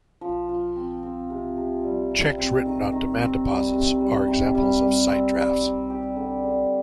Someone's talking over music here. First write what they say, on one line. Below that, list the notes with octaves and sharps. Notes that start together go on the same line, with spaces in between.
Cheques written on demand deposits are examples of sight drafts.
F3
F3
C4
C4
C3
C3
G3
C3
C4
D#3
D#3
C4
G3
C3
G3
C3
G3
G3
C4
G3
G4
G4
D3
D3